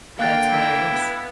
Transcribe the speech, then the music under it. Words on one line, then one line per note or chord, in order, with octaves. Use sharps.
That's hilarious.
D3 A#3 F5 G5 F#6 A6
E4
B3